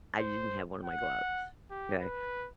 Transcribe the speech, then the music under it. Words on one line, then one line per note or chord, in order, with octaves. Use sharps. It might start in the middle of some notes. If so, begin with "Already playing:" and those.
I didn't have one of my gloves. 'Kay?
C5
F#5
G4
B4